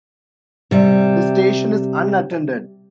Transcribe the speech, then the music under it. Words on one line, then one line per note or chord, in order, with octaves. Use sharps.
The station is unattended.
C3 G3 E5